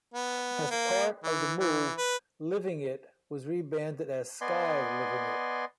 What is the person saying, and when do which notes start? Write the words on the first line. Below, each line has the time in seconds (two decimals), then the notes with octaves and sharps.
As part of the move Livingit was rebranded as Sky Livingit.
0.14 B3
0.71 A#3
1.24 E3
1.60 E3
1.97 B4
4.41 B3 D5 D#5 G#5 C6